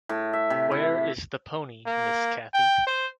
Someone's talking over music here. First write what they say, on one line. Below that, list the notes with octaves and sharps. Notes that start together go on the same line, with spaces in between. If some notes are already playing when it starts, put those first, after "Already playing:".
Where is the pony, Miss Cathy?
A2
E5
C3
E4
A#3
G5
C5